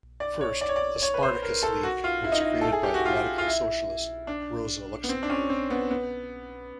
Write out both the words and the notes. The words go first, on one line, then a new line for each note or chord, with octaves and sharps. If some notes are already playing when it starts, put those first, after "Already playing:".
First, the Spartacus League was created by the radical socialist Rosa Luxemburg.
D5
C#5
D5
C#5
D5
C#5
B4
C5
A#4
A4
F#4
F4
E4
D#4
E4
A4
G#4
G4
F#4
F4
F4
E4
D4
B3
C4
D4
C#4
C4
B3
B3